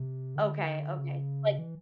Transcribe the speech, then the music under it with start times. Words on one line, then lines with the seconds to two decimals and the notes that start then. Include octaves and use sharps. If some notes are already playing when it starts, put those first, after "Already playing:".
okay, okay. Like
Already playing: C3
0.36 D3
0.98 C#3
1.59 E3